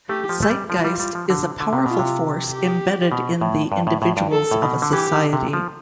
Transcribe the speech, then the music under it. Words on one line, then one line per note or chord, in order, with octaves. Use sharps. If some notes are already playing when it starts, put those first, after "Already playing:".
Zeitgeist is a powerful force embedded in the individuals of a society.
A3 G4
F3
A3
G3
F3 F4
G3
G3
F3
D3
D3
C3
B2 F4
C3
G4
B2
A2
G2
A2
A2
G2
A4
A2
B2
D3
E3 G4
D3
C3
F3